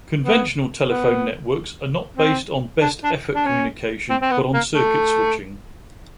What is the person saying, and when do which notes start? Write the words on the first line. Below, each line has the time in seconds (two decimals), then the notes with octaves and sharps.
Conventional telephone networks are not based on best-effort communication, but on circuit switching.
0.24 B3
0.88 B3
2.17 C4
2.81 D4
3.04 D4
3.35 D4
3.46 C#4
4.10 C4
4.22 C4
4.31 B3
4.54 A#3
4.75 A3